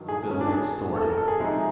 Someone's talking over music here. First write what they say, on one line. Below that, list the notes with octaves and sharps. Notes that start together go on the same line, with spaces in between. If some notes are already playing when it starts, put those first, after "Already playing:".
The Bill Hicks Story.
Already playing: G2 D#3 F#3
G#4
C#4
D4
G#4
A4
A#4
A4
G#4
C3 F3 G#3 C4 D#4